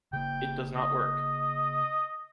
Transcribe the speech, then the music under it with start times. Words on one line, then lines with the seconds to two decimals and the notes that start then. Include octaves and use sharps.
It does not work.
0.13 C#3 A#3 G5
0.75 D#5